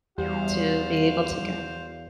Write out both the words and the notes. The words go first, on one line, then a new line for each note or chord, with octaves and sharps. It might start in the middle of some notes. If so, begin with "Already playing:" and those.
to be able to get
E2 G3 F#4 C5 F5